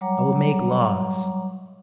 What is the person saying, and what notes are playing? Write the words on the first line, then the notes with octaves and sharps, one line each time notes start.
I will make laws.
F#3 G3 C#5 F#5 A#5 D6